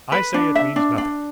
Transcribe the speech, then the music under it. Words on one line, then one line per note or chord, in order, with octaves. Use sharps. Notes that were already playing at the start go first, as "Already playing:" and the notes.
'I say it means nothing.
B4
D4
E5
D4
D4